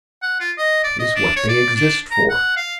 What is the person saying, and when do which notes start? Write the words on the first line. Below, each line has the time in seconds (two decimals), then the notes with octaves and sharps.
That is what they exist for.
0.22 F#5
0.40 F4
0.58 D#5
0.84 D5
1.00 D#5
1.16 D4
1.36 C#5
1.49 D5
1.76 D4
2.11 A#5
2.30 F#5
2.57 F5